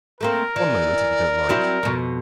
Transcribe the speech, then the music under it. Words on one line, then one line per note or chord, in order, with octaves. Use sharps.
"One moment, if you don't mind."
A3 A#3 C4 A#4
E3 D5
F#3 C4 E4
F2 B2